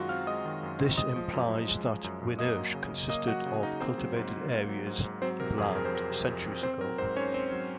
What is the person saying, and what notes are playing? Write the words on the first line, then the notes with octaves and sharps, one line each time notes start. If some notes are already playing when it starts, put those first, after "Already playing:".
This implies that Winnersh consisted of cultivated areas of land centuries ago.
Already playing: F#2 D#3 G#3 F4 F#4 F#5
C4 F5 F6
G#3 D#5 D#6
D#3
F#2
C4
G#3 D#5 D#6
F3
F#2
F#2
G#3
F3
F#2
F#2
A#3 D#5 D#6
F#3
C#3
C#3
A#3 D#5 D#6
F#3 F#4 F#5
C#3
C#3 D#4 D#5
A#3 C4 C5
F#3
G#2
G#2
A#3
F#3
G#2
G#2
F#3 C4 C5
C3 A#4
F2 G#4
C4 A#4
C5
F#3 A#4
C3
F2
C4
C4 C5
F#3 A#4
G#2 C4 C5
G#2 C#4 C#5
C4 C5
F#3